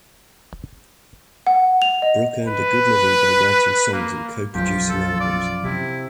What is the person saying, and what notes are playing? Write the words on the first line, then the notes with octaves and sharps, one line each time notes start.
Brook earned a good living by writing songs and co-producing albums.
F#5
F7
D#5
B4
A#3
B1 F#2 F3 F4 G4
A4
D5
C3 E4